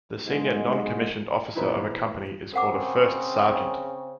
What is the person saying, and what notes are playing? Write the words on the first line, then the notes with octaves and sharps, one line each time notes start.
The senior non-commissioned officer of a company is called a first sergeant.
B1 G#2 G#3
A#2 E3 B3 C4 D#4 E4
C#3 C4 A#4 F#5 D6